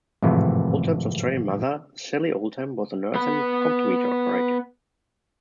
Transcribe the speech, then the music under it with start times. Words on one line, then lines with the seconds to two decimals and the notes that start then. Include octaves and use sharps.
Oldham's Australian mother, Celia Oldham, was a nurse and comptometer operator.
0.22 G#1 F2 A2 C3 E3
3.15 B3 B5